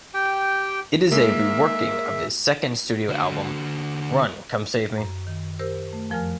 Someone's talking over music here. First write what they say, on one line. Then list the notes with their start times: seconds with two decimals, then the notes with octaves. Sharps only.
It is a re-working of his second studio album, "Run Come Save Me".
0.14 G4 G5
1.11 G#3 A#3 A#4 E5
3.09 D3 F#4
4.98 F#2
5.27 D#3
5.59 G4 A#4 C5 E6
5.93 A3
6.10 F2 F3 A#4 G#5 F6